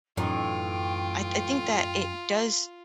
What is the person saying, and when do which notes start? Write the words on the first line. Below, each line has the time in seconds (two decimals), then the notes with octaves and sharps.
I I think that it does
0.17 F#2 A2 E3 D#4 F4 G5